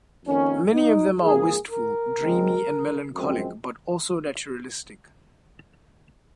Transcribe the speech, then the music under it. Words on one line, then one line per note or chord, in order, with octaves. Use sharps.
Many of them are wistful, dreamy and melancholic but also naturalistic.
F2 D#3 A#3 C#4
D#4
G#2 F3 A#3 G#4
A#4
D#2 C#3 G#3 C4
F#2 F3 G#3 C4